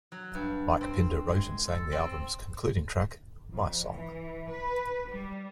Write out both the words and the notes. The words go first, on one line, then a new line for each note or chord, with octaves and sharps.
Mike Pinder wrote and sang the album's concluding track "My Song".
F#3
G2
C4
G#3
A4
C4
F2
E3
B4
G3